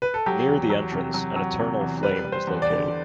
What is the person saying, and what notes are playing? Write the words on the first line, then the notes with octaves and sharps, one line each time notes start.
Near the entrance an eternal flame is located.
B4
A4
F#3 G4
E2
F#3
C3
F#3
F#3
C3
E2
G3 B4
G3
C5
E2
D5
D3